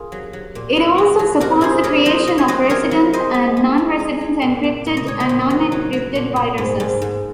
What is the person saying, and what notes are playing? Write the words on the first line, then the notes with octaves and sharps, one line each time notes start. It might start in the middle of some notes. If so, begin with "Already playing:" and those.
It also supports the creation of resident and non-resident encrypted and non-encrypted viruses.
Already playing: F4 G#4 A#4
F#3
F#3
A#2
F#3
F#3
F#3
C3 F#4 A#4
C3 G#4 C5
C3 A#4 C#5
F#3 C5 D#5
C3 D#5
C#5
F#3 C5 D#5
C3 A#4 C#5
F#3
G#3 C5 D#5
G#3
G#3
G#3
G#3
G#3
A#2
A#2
A#2
D#5
A#2 C#5
C5 D#5
A#2
F#3
F#3
F#3
A#2
A#2
G#2
G#2
G#2